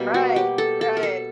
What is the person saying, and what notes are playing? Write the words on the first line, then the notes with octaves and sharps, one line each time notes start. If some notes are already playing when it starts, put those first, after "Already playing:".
Right right,
Already playing: B2 G3 A#3
F#4
G4
A4
A4
A#4
A4